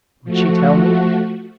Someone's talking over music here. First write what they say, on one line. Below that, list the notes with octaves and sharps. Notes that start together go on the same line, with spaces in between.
Would she tell me?
F3 A3 F#4